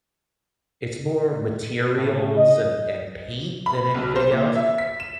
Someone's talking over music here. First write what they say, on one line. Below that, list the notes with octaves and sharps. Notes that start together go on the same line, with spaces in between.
it's more materials and and paint than anything else
A2
D#5
B5
B1
C5
A#2
E5
B6
E7